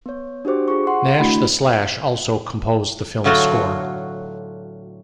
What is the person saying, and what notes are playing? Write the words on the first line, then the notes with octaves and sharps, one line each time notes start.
Nash the Slash also composed the film's score.
B3 C#5
D4 F#4 G4 C5 D6
F4 G#4 C#6
F#5 C6
A3 D4 E4 F#4 B5
A2 D3 F#3 F4 F#4